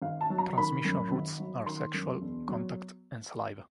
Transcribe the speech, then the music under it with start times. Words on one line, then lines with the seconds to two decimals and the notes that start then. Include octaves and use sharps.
Transmission routes are sexual, contact, and saliva.
0.02 G#1 F5
0.21 A5
0.30 F#3
0.38 A#5
0.58 D#3 B5
0.85 F#2
1.11 G#1
1.40 F#3
1.66 D#3 C6
1.94 F#2
2.22 E1
2.48 F#3